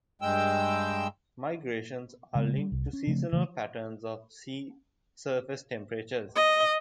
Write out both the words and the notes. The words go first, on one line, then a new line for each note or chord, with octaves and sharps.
Migrations are linked to seasonal patterns of sea surface temperatures.
G2 G#3 G5 E6
C#3 G#3 B3
G3
C2
C#4
C#3 F3 A3 C4
C#3 E3 G#3 A3
D#5